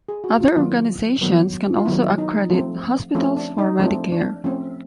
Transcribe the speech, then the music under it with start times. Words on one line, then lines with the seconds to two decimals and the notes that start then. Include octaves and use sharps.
Other organizations can also accredit hospitals for Medicare.
0.09 G#4
0.24 F#4
0.40 F4
0.53 E4
0.56 D#3 F#3 B3 F4
1.21 D#3 F#3 B3
1.77 F4
1.85 D#3 F#3 B3 E4
2.18 D#4
2.50 F3 A3 C4
3.15 F3 A3 C4 C#4
3.37 D4
3.58 D#4
3.80 F3 A3 C4 D4
4.12 D4
4.44 F3 A3 C4 C#4